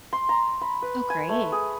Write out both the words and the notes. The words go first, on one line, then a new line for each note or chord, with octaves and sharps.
Oh, great.
C6
A#5
B5
B4
G#5
A3
G#4